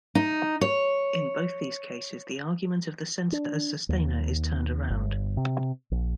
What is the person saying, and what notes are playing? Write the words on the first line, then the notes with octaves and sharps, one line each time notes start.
In both these cases the argument of the centre as sustainer is turned around.
D#4
C#5
D4
D#2
G1
C3
A#1